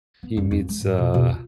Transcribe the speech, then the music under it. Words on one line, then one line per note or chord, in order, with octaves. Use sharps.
he meets, uh
B3
F#2
F2
G#3
G#2
B2
B2
F4